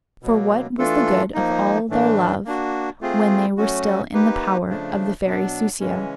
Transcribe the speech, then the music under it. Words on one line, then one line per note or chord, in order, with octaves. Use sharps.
For what was the good of all their love when they were still in the power of the fairy Soussio?
B2 F#3 A#3
E3 A3 D4 F4 A4
F3 A#3 D#4
A2 E3 A3 D4
A#3 D4 F#4
A3 C4 F4 G#4
F#3 A3 C#4 F#4
A#3 D#4 G4 B4
C#3 F3 A3 D4
B2 F#3 B3 D4
C#3 E3 G#3 C#4